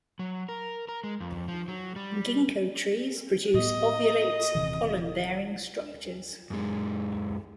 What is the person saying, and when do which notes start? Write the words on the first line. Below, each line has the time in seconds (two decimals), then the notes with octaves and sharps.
"Ginkgo" trees produce ovulate, pollen-bearing structures.
0.19 F#3
0.49 A#4
0.88 A#4
1.04 G#3
1.20 F2
1.48 F3
1.68 F#3
1.96 G3
3.54 A2 B3 D#5
4.55 D#1 C3 E3
6.50 F#2 G#3